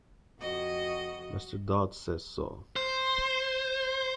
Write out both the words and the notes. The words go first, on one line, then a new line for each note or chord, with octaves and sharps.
Mr. Dodd says so.
F2 F#4 D#5
C5